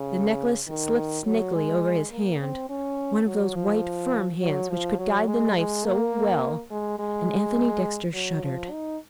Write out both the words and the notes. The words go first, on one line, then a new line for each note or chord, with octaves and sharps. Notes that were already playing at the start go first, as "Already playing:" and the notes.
The necklace slipped snakily over his hand--one of those white, firm hands which could guide the knife so well--and Anthony Dexter shuddered.
Already playing: C#3
D#3
F#3
G#3
A#3
C4
C#4
F#3
F3
F#3
F3
F#3
G#3
G#3
A#3
G#3
G#3
F#3
F3
D#4